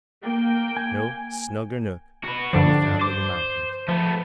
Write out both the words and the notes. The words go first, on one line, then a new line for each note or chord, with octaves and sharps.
No snugger nook could be found in the mountains.
A#3 G5
G#5
F#4 B4
G2 D3 F3 D4
C5 D6
F3 A3 B3